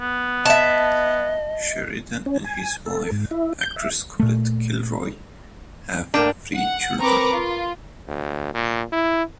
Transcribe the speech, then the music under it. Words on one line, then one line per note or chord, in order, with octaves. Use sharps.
Sheridan and his wife, actress Colette Kilroy, have three children.
B3
D#5 E5 A5
C#4
G#5
A4
G#2
E4
G6
E5
A#2 A3
A2 A#3 D4 G5
F#5
C4 A#4 B4 A#5 C#6 D6
F4
D2
A#2
E4